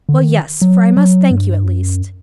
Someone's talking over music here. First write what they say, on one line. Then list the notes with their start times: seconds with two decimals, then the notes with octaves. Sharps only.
"Well, yes! for I must thank you at least."
0.09 D3
0.15 D#3
0.62 F#3
0.97 F#3
1.31 G2
1.65 F#2